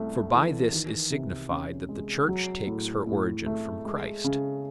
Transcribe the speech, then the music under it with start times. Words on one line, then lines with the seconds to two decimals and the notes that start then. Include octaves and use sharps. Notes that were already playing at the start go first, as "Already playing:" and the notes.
For by this is signified that the Church takes her origin from Christ.
Already playing: C2 A3
0.33 E3
0.72 D#3
1.10 C3
1.50 C#4
1.89 G#3
2.28 F#3
2.67 A2
3.07 A2
3.46 A3
3.85 G#3
4.24 C#3